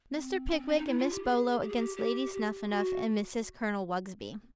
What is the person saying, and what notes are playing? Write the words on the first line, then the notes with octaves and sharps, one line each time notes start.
Mr. Pickwick and Miss Bolo against Lady Snuphanuph and Mrs. Colonel Wugsby.
C4
C#4
C4
C#4
D#4
E4
F4
G4
G#4
G4
G#4
G4
G4
G4
F#4